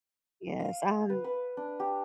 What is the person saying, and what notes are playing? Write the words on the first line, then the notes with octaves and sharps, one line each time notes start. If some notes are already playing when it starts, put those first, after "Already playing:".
Yes. I'm
F5
B4
B4
D4
G4